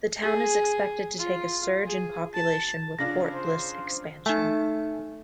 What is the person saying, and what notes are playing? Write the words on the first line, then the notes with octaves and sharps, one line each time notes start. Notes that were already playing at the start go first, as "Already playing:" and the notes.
The town is expected to take a surge in population with Fort Bliss expansion.
G#4
F4
G#4
A5
C#3 D4 F4 A#6
C5
A3 D#4 G#5